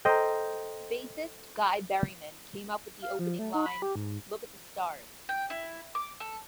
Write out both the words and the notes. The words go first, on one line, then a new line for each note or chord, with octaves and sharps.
Bassist Guy Berryman came up with the opening line "Look at the stars".
A4 C5 D#5 G5 A#5
F5
F3
A3
D#4
B5
G4
G#2
G5
E4
D6
A4